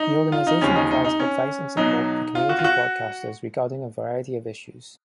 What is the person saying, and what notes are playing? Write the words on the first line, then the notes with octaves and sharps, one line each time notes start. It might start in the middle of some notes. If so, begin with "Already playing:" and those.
The organisation provides advice and support to community broadcasters regarding a variety of issues.
Already playing: D#4
F4
D#4
D#2 C#3 F3 C#4
D#4
D#4
D#4
C#4
B1 B2 F#3 D#4
F4
F#4
F4
F#4